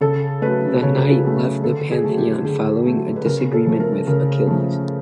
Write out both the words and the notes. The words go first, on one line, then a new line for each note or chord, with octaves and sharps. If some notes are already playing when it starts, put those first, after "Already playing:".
The Knight left the Pantheon following a disagreement with Achilles.
C#3 A4
F#3 A3 B4
C#3 C#5
F#3 A3
D3 A4
G#4
F#3 A3
G4
D3 G#4
F#3 A3
B4
C#3 A#4
A4
F3 A3
A#4
C#3 A#4
F3 A3